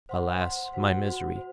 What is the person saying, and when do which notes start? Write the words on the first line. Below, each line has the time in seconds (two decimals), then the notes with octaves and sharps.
'Alas! my misery!
0.09 C5 F#5 C6
0.40 C5 F#5 C6
0.73 F#4 C5 F#5
1.04 F#4 C5 F#5
1.36 C5